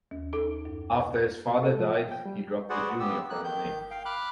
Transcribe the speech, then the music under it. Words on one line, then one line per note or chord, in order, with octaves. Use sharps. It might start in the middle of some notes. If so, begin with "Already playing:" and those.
After his father died, he dropped the "Junior" from his name.
D#2
D#4 A4
F#2
B2
A4
F3
G5
G5
G3
F#4 G#4 B4 C5 D5 F#5
G2 B3 G4 E6
F2 A#3 F#6
D#3 G6
F5 G5
B5 D6 F6 F#6